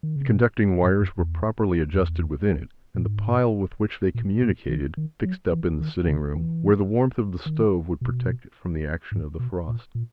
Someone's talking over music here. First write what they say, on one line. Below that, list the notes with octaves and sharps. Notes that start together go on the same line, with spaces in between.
The conducting wires were properly adjusted within it, and the pile with which they communicated fixed up in the sitting-room, where the warmth of the stove would protect it from the action of the frost.
D#3
C#3
B2
G#2
F#2
E2
E2
A#2
G#2
A#2
A#2
D#3
D#3
F#3
E3
D#3
C#3
E3
D#3
B2
G#2
B2
A#2
A#2